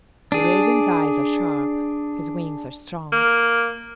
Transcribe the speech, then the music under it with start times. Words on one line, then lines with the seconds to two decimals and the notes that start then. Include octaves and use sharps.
The raven's eyes are sharp, his wings are strong.
0.32 D4 G#4
3.12 A#3